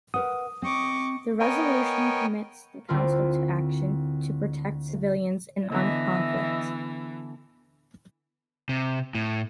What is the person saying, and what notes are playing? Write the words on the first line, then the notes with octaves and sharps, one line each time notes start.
The resolution commits the Council to action to protect civilians in armed conflict.
A#4 B4 F#5 D#6
C4 D#5 C#6 D6
B3 A#4 C#5 D#5 G5 G#5
D2 D3 C4 E4 F4 A#4
D3 E3 B3 D#5 E5
C3
A2